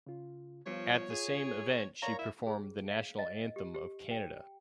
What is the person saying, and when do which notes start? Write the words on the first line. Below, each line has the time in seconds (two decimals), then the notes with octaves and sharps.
At the same event she performed the national anthem of Canada.
0.07 C#3 F4
0.66 F3 G3 B3 F4 C#5
1.10 F4 G#4
2.02 A#4 C#5 D5 F5 A#5
2.19 E4 E5
2.47 G#4
2.91 F5
3.19 D#5
3.56 G4
3.74 G4
4.11 G5